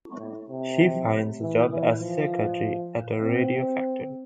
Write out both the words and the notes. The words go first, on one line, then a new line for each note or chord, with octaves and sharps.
She finds a job as a secretary at a radio factory.
A2
C3
E3
E3
F3
C4